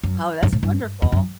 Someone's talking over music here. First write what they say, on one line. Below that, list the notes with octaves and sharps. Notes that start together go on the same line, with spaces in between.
Oh, that's wonderful.
F#2
G2
A2
G2
E2
F#2